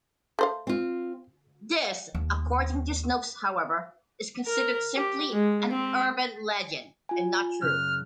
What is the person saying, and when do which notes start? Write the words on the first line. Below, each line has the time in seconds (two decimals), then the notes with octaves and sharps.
This, according to Snopes however, is considered simply an urban legend, and not true.
0.39 A3 C5 F5
0.67 C4 F4
2.15 D#2
4.46 A#4
4.95 G4
5.33 G#3
5.71 C4
7.09 F4 G#5
7.62 F#2 C#3 F6 F#6